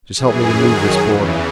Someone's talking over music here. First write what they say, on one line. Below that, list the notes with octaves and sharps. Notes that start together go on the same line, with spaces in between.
"Just help me to move this boarding."
F#2 E3 G#4
F#2 D#3 F#3
E2 C#3 E3